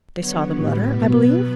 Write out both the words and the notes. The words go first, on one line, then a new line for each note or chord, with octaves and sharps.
"They saw the letter, I believe?"
D3 F#3 B3 C#5
A2 G3 B3 B4
B2 F#3 B3 B4